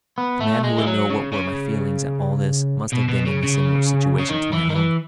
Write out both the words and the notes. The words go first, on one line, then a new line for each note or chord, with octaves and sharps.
The man who would know what were my feelings at all this must have been in a similar situation to my own.
B3
A3
G#3
E3
F#3
C#3
C#3
B2
B2
C#3
C#3
C#3
D#3
E3
D#3
E3